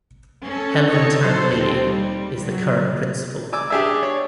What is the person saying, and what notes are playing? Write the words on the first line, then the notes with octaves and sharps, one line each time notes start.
Helen Tan-Lee is the current principal.
C#4 A4
C4 D#4 A4 C#5
F#3 A4 C5
D#2 C4
G3
F#3
D5 G#5 D6 E6
D4 G4 G#4 D5 E5
C#5